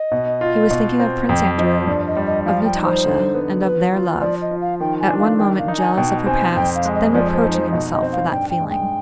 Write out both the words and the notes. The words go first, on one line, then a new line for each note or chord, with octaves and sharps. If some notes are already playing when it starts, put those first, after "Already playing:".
He was thinking of Prince Andrew, of Natasha, and of their love, at one moment jealous of her past, then reproaching himself for that feeling.
Already playing: D#5
B2
F4
B2
C4
F2 G5
F3 D#5
G2 D5
D#5
G3
D#5
F3 F5
G5
D#4
C5
D3
B3
F3 B4
F4
F3 D5
D#5
F4
F5
D#3 G5
G#5
D4
F5
D#3 G5
F5
D#4
G#5
B2 G5
C4 G#5
F2 G5
F5
G#3
D#5
F3 D5
C5
D#4
C5
B2 D#5
D#5
C4
F5
G2 G5
G5
G#3
G5